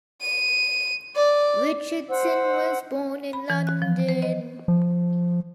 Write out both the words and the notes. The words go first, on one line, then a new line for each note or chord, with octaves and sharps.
Richardson was born in London.
D#7
D5
C5 F#5 E6
B5
E3
F#6
F3
C5
D#5
F3